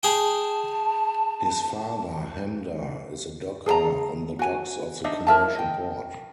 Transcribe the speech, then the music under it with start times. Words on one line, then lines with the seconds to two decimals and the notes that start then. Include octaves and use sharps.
His father Hamda is a docker on the docks of the commercial port.
0.03 G#4 G5 A5
3.66 G#4 A4 A5 A#5
4.39 F#4 G#5
5.04 D4 D#4 D#5 E5
5.27 E4 A#4 E5 A5
5.55 D#5 G5